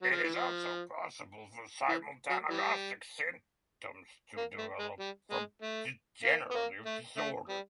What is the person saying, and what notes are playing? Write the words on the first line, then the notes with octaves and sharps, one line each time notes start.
It is also possible for simultanagnosic symptoms to develop from degenerative disorders.
F#3
F3
E3
F3
E3
F#3
E3 G3
A#3
A3
G#3
G3
G#3
A3
A#3
B3
A#3
A3
A3
G3